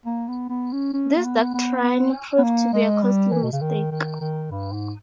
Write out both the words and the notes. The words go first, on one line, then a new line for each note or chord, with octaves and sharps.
This doctrine proved to be a costly mistake.
A#3
B3
B3
C#4
C#4
A#3
B3
B3
B3
B3
A#3
G#3
G3
E3
B2
C#3
D#3
D#3
D#3
G2
G#2